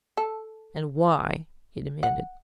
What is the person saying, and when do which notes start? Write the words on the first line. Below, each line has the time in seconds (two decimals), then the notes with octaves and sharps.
"And why?" he demanded.
0.17 A4
2.03 F#5